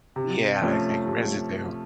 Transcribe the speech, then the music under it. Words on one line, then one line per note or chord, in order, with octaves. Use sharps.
Yeah, it's like residue.
C3
F3 A3 C#4
C3